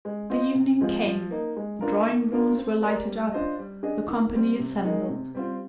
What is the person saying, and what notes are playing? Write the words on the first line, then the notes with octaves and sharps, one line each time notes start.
The evening came, the drawing-rooms were lighted up, the company assembled.
G#3
C4 F4 C5 D#5
C3
F3 G#3 C4 F4
F3
A#3 D#4
G#3
D4 F4 A#4
D#3
A#3 D4 F4 A#4
C4
G4 A#4 D5
G3
D4 F4 C5 D#5
G3
D4 G#4 D#5
D#3
G3 C4
C3
D#3 G#3 D#4
C3
G3 C4 F4